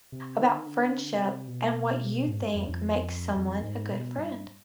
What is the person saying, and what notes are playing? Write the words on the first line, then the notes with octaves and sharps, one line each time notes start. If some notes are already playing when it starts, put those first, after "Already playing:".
about friendship and what you think makes someone a good friend.
C3
D#3
D3
D#3
D3
B2
C3
B2
G#2
G2
F2
F2
F2
G#2
B2
G2